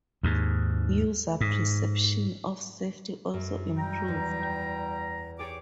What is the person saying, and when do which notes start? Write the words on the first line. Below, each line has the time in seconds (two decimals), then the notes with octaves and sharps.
User perceptions of safety also improved.
0.23 D#2 G#2
1.41 G#2
3.34 F#2
3.78 G3 G5 A#5
4.08 E2
5.39 G4 G#4 C#5 D6